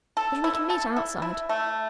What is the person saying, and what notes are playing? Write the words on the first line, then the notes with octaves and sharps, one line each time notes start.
But we can meet outside.
A4
E4
A4
E4
E4
A3